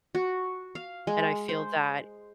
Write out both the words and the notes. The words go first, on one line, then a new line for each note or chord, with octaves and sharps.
And I feel that
F#4
F5
G#3
C5